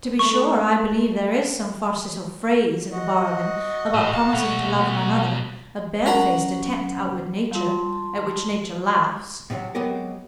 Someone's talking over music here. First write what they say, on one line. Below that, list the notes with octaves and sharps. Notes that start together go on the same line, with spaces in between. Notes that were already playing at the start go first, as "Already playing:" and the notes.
To be sure, I believe there is some farcical phrase in the bargain about promising to love none other,--a bare-faced attempt to outwit Nature,--at which Nature laughs.
A3 A4 C#6
F#4 D#5
A2
F5 A5
B2 A3 C#5
F#3 C#4 F#4 A#4 A#5 B5
G3 F4 A5 C6
A2 C3 F#3 F#4
F#3 G#3 B3 C4 G4 A#4